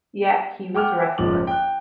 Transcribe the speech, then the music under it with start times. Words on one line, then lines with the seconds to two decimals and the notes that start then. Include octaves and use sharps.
Yet he was restless.
0.74 F#5 G5 D6 F6
1.18 F#1 G#2 F3 D6 F#7
1.47 G5 F#6